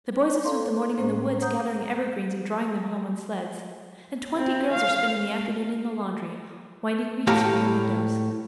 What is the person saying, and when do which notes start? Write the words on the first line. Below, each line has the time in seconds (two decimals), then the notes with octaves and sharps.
The boys have spent the morning in the woods, gathering evergreens and drawing them home on sleds; and twenty girls are spending the afternoon in the laundry, winding wreaths for the windows.
0.45 A4 F5 A#5 C6
0.98 A2 A#3 C#4 C5
1.41 F#5 A#5 D#6 G6
4.37 C4
4.74 F5
7.27 A2 G4 C#5 F5 A#5